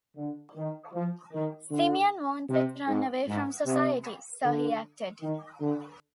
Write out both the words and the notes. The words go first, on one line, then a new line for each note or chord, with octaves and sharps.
Simeon wanted to run away from society, so he acted.
D3
D#3
F3
D#3
D3
C3
G#2
G#2
C3
D3
D#3
D3